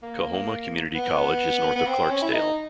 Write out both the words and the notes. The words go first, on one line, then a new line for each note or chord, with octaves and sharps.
Coahoma Community College is north of Clarksdale.
A#3
B3
B3
C4
C#4
E4
D#4